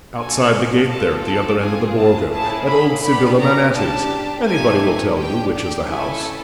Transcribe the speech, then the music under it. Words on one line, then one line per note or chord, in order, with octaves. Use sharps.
"Outside the gate there, at the other end of the Borgo, at old Sibilla Manetti's: anybody will tell you which is the house."
D4 F#4 A4 G#5
C4 F4 A4 A5
A5
C4 F4 G#4 G#5
A5
A#3 C#4 E4 G#4 A5
B5
B3 D4 G4 B5
A#5
D4 G4 A5
A3 C4 D#4 G4 G#5
D4 G4 G5
G5
A3 C#4 E4 A4 G#5